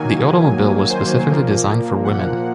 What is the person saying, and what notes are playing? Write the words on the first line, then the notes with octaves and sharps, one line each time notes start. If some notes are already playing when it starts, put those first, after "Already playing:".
The automobile was specifically designed for women.
Already playing: D#3 F#3 A#3 G#5
C5
A#2 F3 A#3
F#5